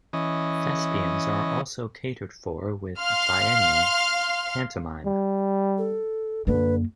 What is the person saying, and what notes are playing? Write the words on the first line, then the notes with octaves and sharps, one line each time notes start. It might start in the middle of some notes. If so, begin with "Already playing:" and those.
Thespians are also catered for with the biennial pantomime.
E3 C#4 D#5
F5 C6 F6
G3
A4
F#2 D3 A#3 B4